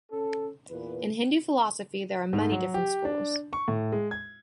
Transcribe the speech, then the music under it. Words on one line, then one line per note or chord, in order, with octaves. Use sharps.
In Hindu philosophy, there are many different schools.
C#4 A4
E2 A#2 B4
G#2
F#3
G4
D4
C#6
A2
G#3
G#6